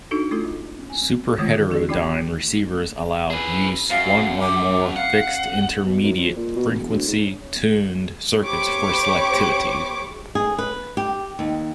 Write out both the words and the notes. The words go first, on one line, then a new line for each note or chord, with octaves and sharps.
Superheterodyne receivers allow use one or more fixed intermediate frequency tuned circuits for selectivity.
D4 D#4 F#4 A4
A3 C#4 E4 F4 A4
G#5
D3 D#3 G#3 A3 F4
D4 F#4 G#4 D5
C#4 E4 D5 G5 B5 G#6
G#4 B4
F#2 F5
D6
F5 F#5
B2
F#2
F2
A#2
B2
E1
D2
G#2
G4 C5 C#5 B5 C#6 D6
G#4
B4
G4
D#2